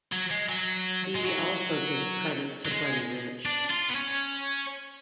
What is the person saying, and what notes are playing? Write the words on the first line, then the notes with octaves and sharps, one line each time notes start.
Dee also gives credit to Buddy Rich.
F#3
G#3
F#3
G#3
F#3
F#3
G#3
D4
F4
B3
C#4